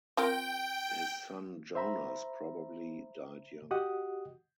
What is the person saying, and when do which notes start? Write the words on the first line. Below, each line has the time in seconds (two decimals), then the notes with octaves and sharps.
His son Jonas probably died young.
0.17 C4 F4 A#4 G5
1.75 C5 E5 A#5 B5
3.71 F#4 G4 D#5 F#5 D#6